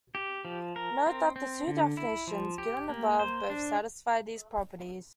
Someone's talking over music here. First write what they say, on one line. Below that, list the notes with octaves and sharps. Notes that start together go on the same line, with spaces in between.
Note that the two definitions given above both satisfy these properties.
G4
F3
A#4
C4
C4
D3
E4
F3
G4
A#3
C5
D4